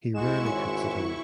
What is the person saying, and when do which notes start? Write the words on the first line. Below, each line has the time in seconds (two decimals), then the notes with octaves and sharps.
He rarely cooks at home.
0.14 C#2 G#3 E4 F#4 C#6 E7
0.46 G#1 C#5 G#5 C6